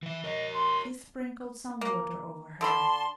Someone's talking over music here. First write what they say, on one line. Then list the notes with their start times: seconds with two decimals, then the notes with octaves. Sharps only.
He sprinkled some water over her.
0.03 E3 E5
0.24 A#4 C#5 D#5
0.53 C6
1.81 A#3
2.61 D3 A4 A5 B5 C6